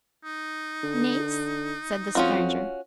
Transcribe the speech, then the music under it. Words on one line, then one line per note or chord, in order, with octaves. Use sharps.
"Niece?" said the Stranger.
D#4
D3
F2 C#4 F4 F#4